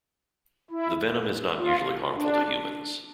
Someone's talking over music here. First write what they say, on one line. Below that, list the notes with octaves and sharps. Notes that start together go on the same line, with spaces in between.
The venom is not usually harmful to humans.
E4
F4
D4